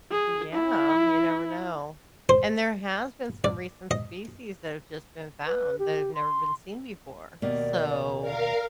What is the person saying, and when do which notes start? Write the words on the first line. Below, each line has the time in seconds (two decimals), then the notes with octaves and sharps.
Yeah, you never know. And there has been some recent species that have just been found that have never been seen before, so,
0.11 G#4
0.54 E4
2.29 C5
3.44 D5
3.91 D#5
5.47 B4
5.79 G4
6.15 C6
7.42 D#2 B2 A#3 D5
8.22 A#4 D5 F5